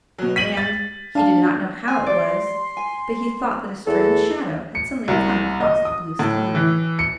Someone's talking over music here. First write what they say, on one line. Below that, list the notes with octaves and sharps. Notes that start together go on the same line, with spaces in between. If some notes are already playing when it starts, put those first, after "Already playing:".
And he did not know how it was, but he thought that a strange shadow had suddenly come across the blue sky.
B2 F#3
B6 D#7 F#7
A6
D4 F5 A5
G#5 C6
G4 D5
G#5
E2 A4
C#7
C2
D#5
D#6
A2
E3
C#7